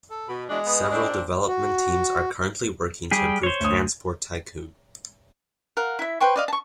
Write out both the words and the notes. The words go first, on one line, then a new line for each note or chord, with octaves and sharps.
Several development teams are currently working to improve "Transport Tycoon".
A4
B2 B5
B2 E3 G#3 D4 G#4
B3
A#2 C4 D4
F#4
G3 G4 G#4
C5 C#5
D2 D#6
A#4 F5 F#5
E4 E5
B4 C5 G5 C#6
D5 D#5 F5
A5 C#6